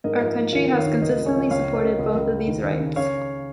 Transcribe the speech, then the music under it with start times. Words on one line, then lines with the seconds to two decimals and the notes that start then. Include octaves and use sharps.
Our country has consistently supported both of these rights.
0.04 G#2 A#4 D#5
0.20 F3 F4 A#4
0.37 F3
0.53 D#2 F4 A#4
0.69 D#3
0.77 C#5 F5
0.86 D#2
1.02 C#2 A#4 D#5
1.18 C#2
1.26 G#4 C#5
1.34 F3
1.50 C#2 C#5 F5
1.66 C#3
1.74 A#4 D#5
1.83 C#3
1.99 C#2 A#4 D#5
2.15 C#2
2.31 C#3
2.47 D#2
2.63 D#2
2.80 C#3
2.96 C#3 C#5 F5